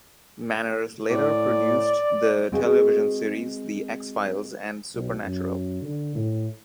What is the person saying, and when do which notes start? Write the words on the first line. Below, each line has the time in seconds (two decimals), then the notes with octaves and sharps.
Manners later produced the television series "The X-Files" and "Supernatural".
1.10 A2 D5
2.52 G#3 C4 F#4 G#4 B4 G5
4.94 B1
5.24 F#2
5.82 D3
6.15 A2